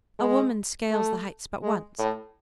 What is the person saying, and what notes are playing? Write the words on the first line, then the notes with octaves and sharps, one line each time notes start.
A woman scales the heights but once.
G#3
A3
G#3
A2